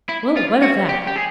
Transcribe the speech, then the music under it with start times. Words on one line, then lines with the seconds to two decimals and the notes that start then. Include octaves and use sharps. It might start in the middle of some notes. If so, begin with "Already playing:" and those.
"Well, what of that?"
0.09 E4
0.37 F4
0.62 F#4
0.89 G4
1.07 G4
1.16 G#4